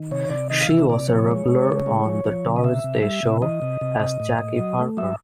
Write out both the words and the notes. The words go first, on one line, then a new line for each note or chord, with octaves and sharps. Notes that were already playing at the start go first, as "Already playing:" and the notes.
She was a regular on "The Doris Day Show" as Jackie Parker.
Already playing: D#3
C3 C#5
C3 D5
D#3 D#5
F5
C3 E5
C3 D5
F3 C#5
G#3
G#3
C#3
G#3
F3
F3
C#3
D#5
C3 E5
C3
G3 E5
C3
E3 D#5
C3
C3
C3
A2
A2
F#3
A3
F#3 E5